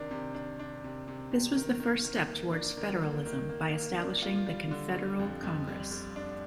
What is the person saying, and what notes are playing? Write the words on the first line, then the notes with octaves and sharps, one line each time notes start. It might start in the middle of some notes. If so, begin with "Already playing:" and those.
This was the first step towards federalism by establishing the confederal Congress.
Already playing: C3 D#3 D4
C3
D4
D4
C3
C3
C3
D#3
D#3
D#3
A#3
D4
D#3
A#3
D#3
A#3
A#3
D4
F4
G3
D3
G3
F2
F2
G3
G3
D4